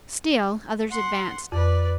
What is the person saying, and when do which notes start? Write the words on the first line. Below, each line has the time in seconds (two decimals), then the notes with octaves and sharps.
Still others advanced.
0.90 F#5 C6
1.52 F2 B4 D5